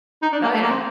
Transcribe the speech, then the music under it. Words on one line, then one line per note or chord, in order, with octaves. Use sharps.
Oh, yeah.
D#4
D4
A#3
A3
A#3
C4